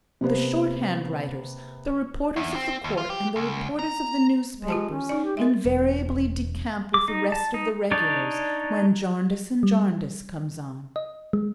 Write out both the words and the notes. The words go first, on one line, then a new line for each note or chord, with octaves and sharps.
The short-hand writers, the reporters of the court, and the reporters of the newspapers invariably decamp with the rest of the regulars when Jarndyce and Jarndyce comes on.
C3 A#3 B3 C5
E2
C4
D#2
F4
G4
C#2
A#5
G#3
F4 G4 A5
C#4
D#4 D5
G4
G#3 A#4 E5
E1
D6
D#4
A5
D#4
D4 D#4 C#5 D5
G3
D#5
G#3